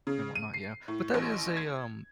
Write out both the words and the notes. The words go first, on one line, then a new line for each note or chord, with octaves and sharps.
and whatnot, yeah, but that is a, um
C#3
D#7
C7
A2
A1
G#6